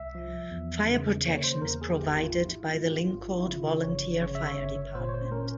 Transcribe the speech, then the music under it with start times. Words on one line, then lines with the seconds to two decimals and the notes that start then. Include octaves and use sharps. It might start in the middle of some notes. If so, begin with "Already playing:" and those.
Fire protection is provided by the Lyncourt Volunteer Fire Department.
Already playing: C2 E5
0.15 F3
0.51 E2
0.88 C#3
1.26 A#3 C#5
1.44 C5
1.62 E2 A#4
1.82 G#4
2.00 G#1 G4
2.18 E4
2.24 F4
2.36 G#2
2.49 E4
2.74 G#2 F4
2.89 G4
2.97 F4
3.11 G#1
3.22 F4
3.38 E4
3.48 C#3 F4
3.84 G1 C#5
4.21 C#3 C#5
4.35 E5
4.48 C#5
4.58 G1
4.95 A#2 C5
5.09 C#5
5.14 C5
5.32 C#4 A#4